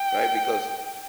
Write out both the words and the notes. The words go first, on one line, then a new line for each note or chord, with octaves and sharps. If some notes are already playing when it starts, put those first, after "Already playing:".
right? Because
Already playing: G5